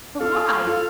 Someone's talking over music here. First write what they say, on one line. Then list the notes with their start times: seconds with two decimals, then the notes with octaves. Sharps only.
"But why?"
0.20 F4 A4 F5
0.67 F4 A4